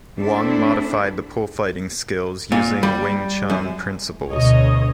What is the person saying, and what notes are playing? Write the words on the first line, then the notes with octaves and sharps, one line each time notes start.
Wong modified the pole fighting skills using Wing Chun principles.
A3 C4 D4 E4 A4
A#2
G3
F#2
D2 B2 C#5 D#5